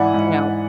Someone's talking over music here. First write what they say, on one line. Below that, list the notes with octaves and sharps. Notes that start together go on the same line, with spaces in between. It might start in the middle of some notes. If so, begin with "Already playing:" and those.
you know,
Already playing: G#2 E3 D5 E5 F#5 G#5 B5
G#2